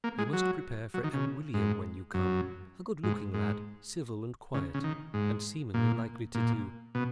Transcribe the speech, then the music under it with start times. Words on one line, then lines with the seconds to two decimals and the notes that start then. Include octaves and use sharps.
You must prepare for a William when you come, a good-looking lad, civil and quiet, and seeming likely to do.
0.04 A#3
0.18 G#3
0.33 F#3
0.94 F#3
1.04 D#3
1.13 C#3
1.54 G#2
2.14 F#2
3.03 G#2
3.34 G#2
4.54 C#3
4.74 C#3
4.84 D#3
5.14 G#2
5.74 A#2
6.35 A#2
6.95 B2